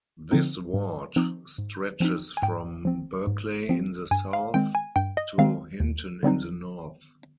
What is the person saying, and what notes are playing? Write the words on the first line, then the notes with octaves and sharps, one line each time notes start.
This ward stretches from Berkeley in the south to Hinton in the north.
D3 F3 C4 D#4
G#2
F3 C4 D#4
G#2
F3 C4 D#4
G#5
G#2 G5
F3 C4
G#2
F3 C4
G2 G#5
F5
D#3 G#3 C4 G5
G#5
G2 G5
D#5
D#3 G#3 C4 F5
D#2
D3 G3 C4 D#4